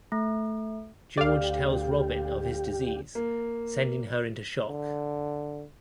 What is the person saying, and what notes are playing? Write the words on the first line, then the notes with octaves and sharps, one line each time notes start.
George tells Robin of his disease, sending her into shock.
A3
D2 G4 D5 F5
A#3
D3